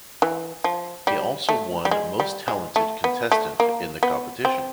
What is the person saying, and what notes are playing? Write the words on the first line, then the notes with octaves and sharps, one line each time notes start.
He also won Most Talented contestant in the competition.
E3
F3
G3
A3
G3
G#3
G3
G#3
A3
B3
A3
A#3
B3
C4